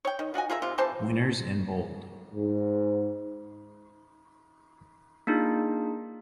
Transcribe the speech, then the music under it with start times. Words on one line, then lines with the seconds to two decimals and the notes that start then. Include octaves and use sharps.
Winners in Bold.
0.05 C#5 G5
0.19 D#3
0.34 F4 F#4 D#5 G#5
0.50 F4 G#4 A#4 E5
0.62 C3 F4
0.78 C3 E3 C5 A5
2.34 G#2
5.27 A#3 D4 D#4 F4 G#4